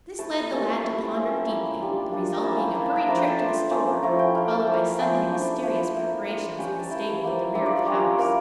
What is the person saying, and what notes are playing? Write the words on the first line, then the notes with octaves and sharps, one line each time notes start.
This led the lad to ponder deeply, the result being a hurried trip to the store, followed by sundry mysterious preparations in the stable at the rear of the house.
A3 E4 A5
G3 C#4 F4 A5
A3 E4
G5
A3 C#4 F4 F5
E5
E5
A#3 E4
G3 D4 F4
G3 A#3 D4 F4
A#5
A#3 C#4 E4 A5
F5
G5
A#3 E4 A5
A5
A#5
F3 A3 D4 A5
G5
A5
A3 D4 F4
A#3 C#4 F4
F3 A3 E4 A#5
G5
A3 E4 F5
A5
F3 A#3 E4
F3 C#4 E4 G5
F3 A3 D4
F3 A3 E4
A#3 E4 G5
A#3 D4 F4
F5
G3 C#4 F4 G5
A5
A#3 E4 G5
F3 A#3 E4
G3 A#3 D4 F4 E5
D5
D5
G3 A#3 C#4 F4 C#5
A#3 E4 A#4